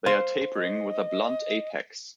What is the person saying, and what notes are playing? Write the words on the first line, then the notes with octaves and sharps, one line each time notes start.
They are tapering with a blunt apex.
C5 F5
D#5